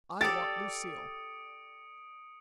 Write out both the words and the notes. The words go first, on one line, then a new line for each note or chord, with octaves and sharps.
I want Lucille.
G4 A4 D5 D#6 A6 C#7 D7